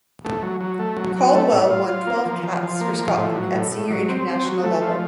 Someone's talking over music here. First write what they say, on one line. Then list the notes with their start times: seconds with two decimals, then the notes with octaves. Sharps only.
Caldwell won twelve caps for Scotland at senior international level.
0.25 A3
0.42 F#3
0.61 F#3
0.79 A3
0.97 F#3
1.16 F#3
1.35 A3
1.52 A2
1.70 F4
1.89 F4
2.07 A#3
2.26 F3
2.44 F3
2.63 F3
2.81 A#3
2.99 F3
3.18 A2
3.35 F#3
3.54 A2
3.72 A2
3.90 F#3
4.09 C4
4.28 C4
4.45 F#3
4.63 A3
4.82 F3